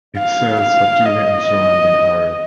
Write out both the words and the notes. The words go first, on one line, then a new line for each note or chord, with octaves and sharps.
It serves Patuli and surrounding area.
F5
F5
D#5